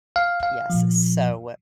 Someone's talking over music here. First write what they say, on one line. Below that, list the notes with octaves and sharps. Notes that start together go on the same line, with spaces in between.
Yes, so,
F5
F5
A#2 F3